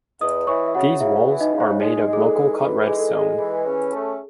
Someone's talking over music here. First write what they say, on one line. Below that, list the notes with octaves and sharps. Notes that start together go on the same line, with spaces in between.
These walls are made of local cut red stone.
E2 D#5 D#6
E3 C#5 C#6
E5
C#3 F#4 F#5
C#3 E4 E5
E3
D#4 D#5
C#3
C5
C#5
G#3 D#4 D#5
G#3
G#4
A4
E3
E3
G#3 G#4
A4
G#3
E3 G#4
C#4
A3